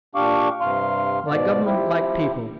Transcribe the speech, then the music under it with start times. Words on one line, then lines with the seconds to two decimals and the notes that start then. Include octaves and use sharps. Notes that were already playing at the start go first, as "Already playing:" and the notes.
Like government, like people.
0.15 A#2 D4 G4 F5 C#6 D6
0.61 G2 C3 F5 C6
1.28 G#2 B2 D5
1.65 F3 C4 E4 G4